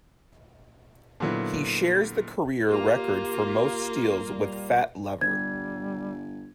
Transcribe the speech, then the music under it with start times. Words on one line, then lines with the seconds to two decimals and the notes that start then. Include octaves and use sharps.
He shares the career record for most steals with Fat Lever.
1.20 A#2 D3 F#3 B3 E4
2.67 A#3 F4 G4
4.21 G3
5.21 G1 G3 G#6